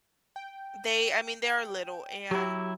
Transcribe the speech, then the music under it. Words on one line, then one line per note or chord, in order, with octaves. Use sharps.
they I mean, they're little and
G5
F#3 E4 G4